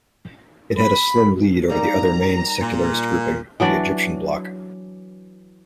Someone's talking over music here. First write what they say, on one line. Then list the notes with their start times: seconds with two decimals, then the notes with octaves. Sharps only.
It had a slim lead over the other main secularist grouping, the Egyptian Bloc.
0.78 B5
1.69 G3 A#3 D#4 A#5
2.61 A#2
3.60 E3 F#3 D4 D5